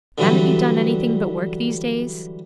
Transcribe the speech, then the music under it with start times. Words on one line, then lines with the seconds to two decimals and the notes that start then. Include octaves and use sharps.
'Haven't you done anything but work these days?'
0.18 D3 E3 F#3 G3 B4